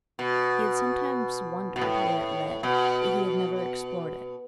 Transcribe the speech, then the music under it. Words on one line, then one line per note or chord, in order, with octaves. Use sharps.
He had sometimes wondered where it led but he had never explored it.
B2
B2
A2
B2